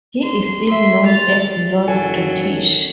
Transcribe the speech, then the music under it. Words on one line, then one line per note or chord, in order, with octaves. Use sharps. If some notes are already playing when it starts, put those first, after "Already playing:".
He is still known as Lord British.
C6
E5 C6
A6 F7
F#1 D#3 F#3 A4 G#5